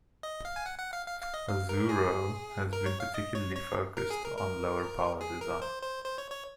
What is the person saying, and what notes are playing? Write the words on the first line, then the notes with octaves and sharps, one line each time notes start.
Azuro has been particularly focussed on lower power design.
D#5
F5
G#5
F#5
F#5
F5
F5
F5
D#5
F5
A#4
G#4
A#4
C#5
F5
D#5
C#5
C#5
A#4
G#4
A#4
A#4
G#4
A#4
C5
C5
C5
C#5
C#5